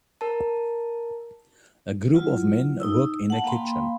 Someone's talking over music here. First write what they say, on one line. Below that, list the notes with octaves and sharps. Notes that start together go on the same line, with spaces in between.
A group of men work in a kitchen.
A#4 A5
F#3 E4 F4
D#4 E6
F#5 A5
A#3 F5 G5 B5 C6